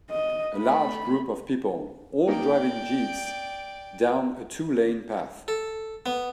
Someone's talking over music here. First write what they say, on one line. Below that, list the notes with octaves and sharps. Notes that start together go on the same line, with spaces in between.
A large group of people all driving Jeeps down a two lane path.
D#5
A3 B5
A#3 D#4 G4 D5 G5
A4
B3